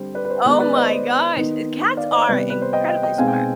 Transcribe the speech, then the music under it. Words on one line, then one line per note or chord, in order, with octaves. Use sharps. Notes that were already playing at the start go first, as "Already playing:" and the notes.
Oh my gosh, e cats are incredibly smart.
Already playing: D3 G3 C4 C5
B4 D5
B4
C5
D#3 G#3 B3 D#4 B4
B4 D5
C5 D#5
D#3 B3 D#4
D5 F5
C5 D#5
C3 D#3 G3 B3 D#4 B4 D5
B4
C5
D#5 G5
D#5 G5
D#5 G5
B2 G#3 C4 D#4 F5 G#5
G5
F5 G#5